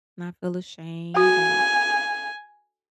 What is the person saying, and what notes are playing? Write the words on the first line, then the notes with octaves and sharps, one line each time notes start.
not feel ashamed and
F#4 G#5